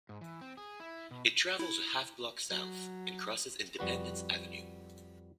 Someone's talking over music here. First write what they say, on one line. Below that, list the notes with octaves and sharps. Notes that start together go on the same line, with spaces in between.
It travels a half block south, and crosses Independence Avenue.
G#2
E3
C4
G#4
E4
B2
E4
F#3
F2 G3 F#4 B4